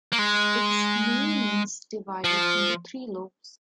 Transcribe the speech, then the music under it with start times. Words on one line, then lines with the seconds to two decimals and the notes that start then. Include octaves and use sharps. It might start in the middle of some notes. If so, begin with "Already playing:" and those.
Its name means 'divided into three lobes'.
0.13 A#3
0.19 G#3
2.24 F3